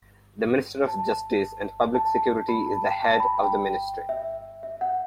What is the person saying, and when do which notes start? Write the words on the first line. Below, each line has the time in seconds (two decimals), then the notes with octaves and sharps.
The Minister of Justice and Public Security is the head of the ministry.
0.88 A5
1.94 A5
2.48 B5
2.66 A5
2.84 G5
3.02 A5
3.20 B5
3.38 G5
4.09 E5
4.63 E5
4.81 F#5